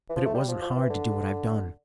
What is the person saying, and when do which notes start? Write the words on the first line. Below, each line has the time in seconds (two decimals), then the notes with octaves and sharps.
But it wasn't hard to do what I've done.
0.10 E3
0.16 F3
0.26 A3
0.34 G3
0.48 F3
0.62 F3
0.76 E3
0.90 D3